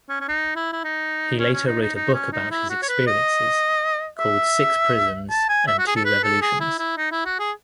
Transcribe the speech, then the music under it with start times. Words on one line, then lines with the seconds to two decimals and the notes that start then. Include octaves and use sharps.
He later wrote a book about his experiences, called "Six Prisons and Two Revolutions".
0.09 C#4
0.21 C#4
0.28 D#4
0.56 E4
0.73 E4
0.84 D#4
1.39 C#4
1.54 C#4
1.67 D#4
1.82 D#4
1.96 D#4
2.14 C#4
2.33 D#4
2.51 E4
2.70 F#4
2.82 C#5
2.89 B4
3.07 D#5
4.19 E5
5.30 A5
5.49 G#5
5.67 E5
5.79 F#4
5.87 G#4
5.96 A4
6.05 B4
6.23 A4
6.42 G#4
6.60 E4
6.79 E4
6.97 D#4
7.12 E4
7.26 F#4
7.39 G#4